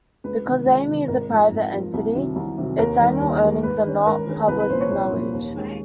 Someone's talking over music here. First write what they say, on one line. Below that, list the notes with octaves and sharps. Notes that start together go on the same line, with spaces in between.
Because Amy's is a private entity, its annual earnings are not public knowledge.
C#2 B4
C3 D#3
C#2
C3 D#3
G#1 A#4
G#2 F3
G#1
G#2 F3
C2
C3 D#3 F#3
C2
C3 D#3 F#3
D#2 A#4
D#3 G3 A#3
D#2
D#3 G3 A#3
G#2 B4
D#3 G#3 C#4
G#2 A#4
D#3 G#3 C#4
C2 B4
B4
A#2 F3 A#3 C#4 C5
C#5
C2 C#5
A#2 F3 A#3 C#4
D#2
D#3 G#3 C#4